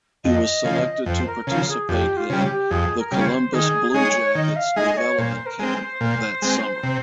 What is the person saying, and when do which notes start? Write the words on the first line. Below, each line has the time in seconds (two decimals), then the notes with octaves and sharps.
He was selected to participate in the Columbus Blue Jackets Development Camp that summer.
0.24 F2 D#5
0.64 C#3 F3
1.06 F2 C5
1.26 A#4
1.47 C#3 F3 A#4
1.68 G#4
1.89 F2 G4
2.17 F4
2.30 C#3 G3
2.44 G4
2.70 F2 G#4
2.99 A#4
3.12 C#3 G3
3.18 C#5
3.25 C5
3.54 D#3 G#4
3.94 G#3 D#4 G#4 C#5
4.35 D#3 D#5
4.56 F5
4.76 G#3 D#4 G#4 D#5
4.97 C#5
5.18 A#2 C5
5.46 A#4
5.59 G#3 C4
5.73 C5
6.01 A#2
6.42 G#3 C4
6.83 C3